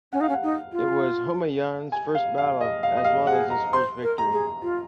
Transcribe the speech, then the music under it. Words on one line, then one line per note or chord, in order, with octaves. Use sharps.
It was Humayun’s first battle as well as his first victory.
C#4 F#5
D#4 F5
C#4
F#5
D#4
F4
G#5
F5
F5
D#5
F5
D#5
F5
G#4 F#5
A#5
C5 C6
A#4
A#5
G#4
F4